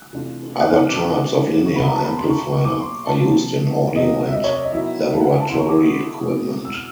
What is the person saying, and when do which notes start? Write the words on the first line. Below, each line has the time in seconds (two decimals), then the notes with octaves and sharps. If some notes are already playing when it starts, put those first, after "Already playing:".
Other types of linear amplifier are used in audio and laboratory equipment.
Already playing: F#6
0.13 C3 E3 A3 D4 F4
0.61 F#6
0.70 F6
0.89 B2 G3 C4 D#4 D6
1.66 C#3 F#3 B3 C#6
1.76 B5
1.85 A#5
1.95 A5
2.04 B5
2.17 C6
2.30 C#6
2.42 B2 F#3 A#3
2.53 C#6
2.65 D6
2.72 C#6
2.81 C6
3.07 A5
3.20 C3 F3 A#3
3.96 C3 D#3 F#3 A3 C#4 D#5
4.28 E5
4.34 D#5
4.44 C#5
4.54 D5
4.63 D#5
4.73 D#3 F#3 B3 E4 E5
5.11 F5
5.21 F#5
5.30 G#5
5.40 A5
5.50 D3 F#3 B3 E4 C6
5.59 C#6
5.69 D6
5.78 D#6
6.26 B2 G#3 C4
6.65 E6
6.74 F6